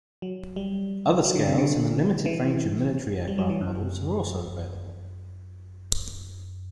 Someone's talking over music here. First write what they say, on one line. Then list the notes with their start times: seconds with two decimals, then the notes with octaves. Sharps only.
Other scales and a limited range of military aircraft models are also available.
0.22 F#3
0.56 G3
1.25 F#3
1.35 D3
1.47 C3
1.58 D3
2.26 E3
3.28 G3
3.38 F#3
3.50 E3
3.61 F#2